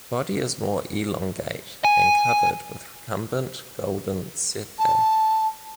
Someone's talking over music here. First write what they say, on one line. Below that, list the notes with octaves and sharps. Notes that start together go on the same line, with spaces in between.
Body is more elongate and covered with recumbent golden setae.
G#5
A5